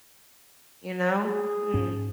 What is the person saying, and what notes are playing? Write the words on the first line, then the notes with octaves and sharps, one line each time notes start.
you know? Mm.
G#4
G#2 C#4